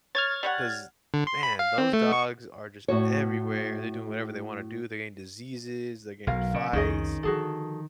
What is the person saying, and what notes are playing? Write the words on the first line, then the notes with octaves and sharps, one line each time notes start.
'cause, man, those dogs are just everywhere, they're doing whatever they wanna do, they're getting diseases, they're getting into fights.
C#5 F6 G#6 A6
G3 C#5 F#5
D3
C6
B5
F5
C4
A3
C#6
A2 F#4 C#5
B1 F#3 B3 A#4 F5
C#3
C2 F2 D#3 C#4 G#4 D#5
D3 F3 F#4 G#4 A4